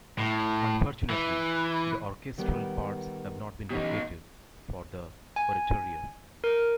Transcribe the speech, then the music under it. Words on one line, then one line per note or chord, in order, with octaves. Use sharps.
Unfortunately, the orchestral parts have not been located for the oratorio.
A2
E3
D#3 G3 B3
B2 E3 C#4 D#4 G4
G#5
A#4